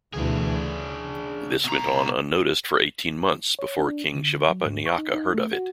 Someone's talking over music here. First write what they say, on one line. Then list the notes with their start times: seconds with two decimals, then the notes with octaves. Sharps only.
This went on unnoticed for eighteen months before King Shivappa Nayaka heard of it.
0.13 D2 B2 E3 D4 G#4
0.58 C#3
1.64 B2 A#5
3.59 C#5
3.78 D4
4.15 D3
4.49 F#3
4.65 G#2
4.86 C#6
4.98 D#4
5.14 D#4
5.34 A3
5.53 F#4